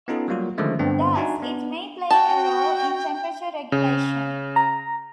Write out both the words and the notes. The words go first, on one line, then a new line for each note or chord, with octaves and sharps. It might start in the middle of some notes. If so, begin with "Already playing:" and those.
Thus, it may play a role in temperature regulation.
B3 C#4 D#4 F4 A4
F#3 G3 A#3 F4 F#4
D3 D#3 F3 G#3 A3 C#4
G2 D3 B3 C4 D4
D4 D#4 F#4 E5 G#5 A#5
B3 D4
F#4 G5 A5
C#3
A#5